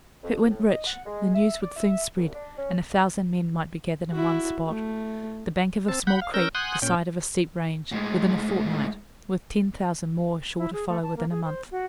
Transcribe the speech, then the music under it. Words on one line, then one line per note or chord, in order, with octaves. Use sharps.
If it went rich the news would soon spread, and a thousand men might be gathered in one spot--the bank of a small creek, the side of a steep range--within a fortnight, with ten thousand more sure to follow within a month.
F2
A2
D#5
F#5
G#3
E5
D5
E5
C2
D4
C#4
E4 F#4
A3
C4 A5
F#5 B5 G6
F5
C#4 A#4 E6 G6 A#6
F#5 G#5 C6 D#6 F#6 G6
A#2 C#4 G5
A2 G#3
E4
G#4
A3
A5
A#3
G#4
C5
F#4